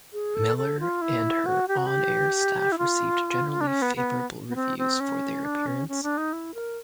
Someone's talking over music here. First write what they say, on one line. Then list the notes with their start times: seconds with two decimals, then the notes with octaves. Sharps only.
Miller and her on-air staff received generally favorable reviews for their appearance.
0.13 G#4
0.35 A4
0.57 A4
0.80 F4
1.02 E4
1.46 F#4
1.68 G4
1.77 F#4
1.87 G4
2.72 E4
2.78 F4
3.61 D4
3.67 C#4
3.82 B3
3.96 B3
4.49 B3
4.55 C4
4.78 C4
5.00 C#4
5.44 D4
5.67 C#4
5.88 C#4
6.03 D4
6.18 D#4
6.33 E4
6.54 A#4